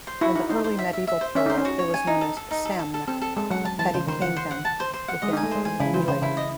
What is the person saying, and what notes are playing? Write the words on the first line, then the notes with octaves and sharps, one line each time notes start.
In the early medieval period it was known as Semne, a petty-kingdom within Ulaid.
C5
E4 F#4
D#4 F#4
D#4 C5
C5
E5
E5
E5
C5
C#4 E5
D#4 C5
C#4
F#4
C#5
G#5
D#4
A4
A4
D#4
A4
A4
A4
C4 A4
A4
G#3 A4
F#3 F#5
F#3 A5
E3 A5
C#3 C5
D#3 C5
E3 F#5
C5
F#5
A5
C5
C5
F#5
G#3 D#5
D#4 G#5
A3
G#3 C5
E3 G#5
C#3 E4
E3 C5
C#3 C5
C#3 E4
D#5